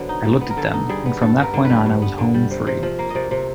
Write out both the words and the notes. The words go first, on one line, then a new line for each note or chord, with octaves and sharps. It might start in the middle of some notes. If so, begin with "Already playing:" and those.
I looked at them, and from that point on I was home free.
Already playing: D3 F#3 B3 C5
D#4
G3
B3
A#4
D3 A4
D#4
G3 G#4
B3
G2 A4
B3
A#4
D3
B4
G3
G2
B3
D3
G3
C3
C3
F3
A#3
C3 D5 D#5
C3